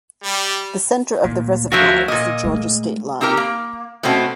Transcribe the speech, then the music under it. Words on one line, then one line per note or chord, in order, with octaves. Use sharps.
The center of the reservoir is the Georgia state line.
G3
D2 A#2
F3 F#3 F4 F#4 A#4 E5
A#2 A#3 D#5
G#3 A3
C4 D#4 G4 A#4 A#5
A#3
B2 A3 C4 C#4 F#4